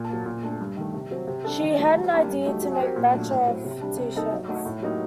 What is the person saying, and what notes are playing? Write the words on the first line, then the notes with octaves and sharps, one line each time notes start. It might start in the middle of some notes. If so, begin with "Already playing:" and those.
She had the idea to make a batch of T-shirts.
Already playing: A#2
F#3 A#3
A#2
A3 D4
G2
D#3 A3
C3
F#3 C4
C3
G3 D4 A4
D#3
F#3 A3
G3
A#3 D4 G4
G2
F#3 A3 D#4 G4
F#3
C4 G4 A#4
A#2
F#3 A3 D4
A2
F#3 C4
C3
G3 D4
C3
G3 A#3 D#4 A4
F#3
A3 D#4 F#4
A2
F#3 A#3 D#4 G4